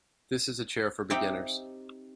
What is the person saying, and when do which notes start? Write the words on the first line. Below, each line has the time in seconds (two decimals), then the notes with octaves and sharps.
This is a chair for beginners.
1.10 C4 D#4 G4 E5 F#5 G5